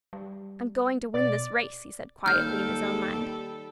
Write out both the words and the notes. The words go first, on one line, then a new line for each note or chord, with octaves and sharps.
"I'm going to win this race!" he said quietly in his own mind.
G3
B2 D5
D#2 G3 A4 F6 G6